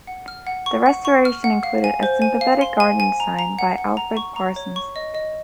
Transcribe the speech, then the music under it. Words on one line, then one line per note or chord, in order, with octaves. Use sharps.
The restoration included a sympathetic garden design by Alfred Parsons.
F#5
F6
F#5
C#6
F#5
C#6
F6
F#5
F5
G#5
C5
G#5
F5
C6
G#5
G#5
A#5
A#5
F#5
F#5
A#5
C#6
A#5
C#5
C#6
D#5
D#5